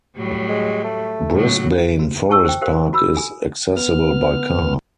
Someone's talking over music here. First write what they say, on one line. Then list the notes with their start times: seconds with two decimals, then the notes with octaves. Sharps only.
Brisbane Forest Park is accessible by car.
0.17 A2 F#3 G3
0.49 G#3
0.84 A3
1.33 A2 C#3 F#3
1.99 F#4
2.29 G#4 C5 A5 C#6 E6
2.45 C5 G5
2.61 G4 A#4 C5 F5
2.93 F#4 B5 E6
3.15 A4 G#5 D#6
3.77 B3 F6